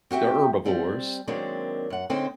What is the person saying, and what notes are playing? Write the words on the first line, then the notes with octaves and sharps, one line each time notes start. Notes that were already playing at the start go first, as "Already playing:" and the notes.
they're herbivores,
C4 F#4 G4 E5 G5
G3 C4
D#3 F#3 G#3 A#3 C4 D4
F#2 F#5
D3 G#3 C4 C#4 D#4 C5